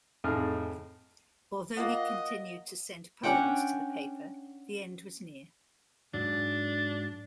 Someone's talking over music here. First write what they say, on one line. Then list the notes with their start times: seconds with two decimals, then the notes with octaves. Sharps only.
Although he continued to send poems to the paper, the end was near.
0.24 F2 A2 D#4 G#4 F6
1.77 A#3 F4 D#5 F#5
3.23 C#4 D4 F#5 G5
6.14 G#2 F#3 D4